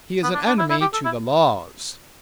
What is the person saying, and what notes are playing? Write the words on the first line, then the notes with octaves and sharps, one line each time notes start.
He is an enemy to the laws.
B3
D4
D4
E4
E4
G4
A4
E4